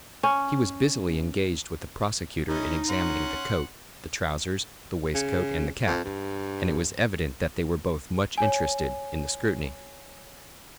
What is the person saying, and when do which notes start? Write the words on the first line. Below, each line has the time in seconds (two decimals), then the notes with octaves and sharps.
He was busily engaged with the prosecutor in examining the coat, the trousers, the waistcoat and the cap; and it was evident that they were both much interested in the scrutiny.
0.23 C#4
2.49 C#4 D#4 E4 D#5
2.89 C#4 F#5 C6
5.15 C#3
5.87 F2
6.04 G2
8.38 C#5 G#5